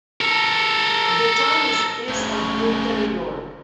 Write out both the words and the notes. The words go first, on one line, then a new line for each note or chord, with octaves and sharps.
The town is east of Utica, New York.
A4 A#4
F#1 A2 C#3